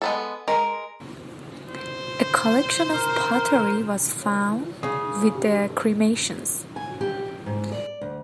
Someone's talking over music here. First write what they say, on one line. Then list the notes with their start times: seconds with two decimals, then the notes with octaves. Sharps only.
A collection of pottery was found with the cremations.
0.02 G#3 B3 A4
0.48 G#3 A#4
1.68 C5
2.94 A#4
4.83 C#3 D#6
5.35 G4
6.76 G#5
7.01 G4
7.46 G#2
7.72 D5
8.01 D2